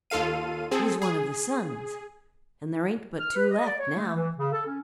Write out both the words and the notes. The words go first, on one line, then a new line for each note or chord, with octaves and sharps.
"He's one of the sons, and there ain't but two left now."
D#2 F4 A4 F5 D#7
C4 G#4 A4
G#4
F6
B4
D#5
D5
C#5
A3
E3
C#3
A4
C#4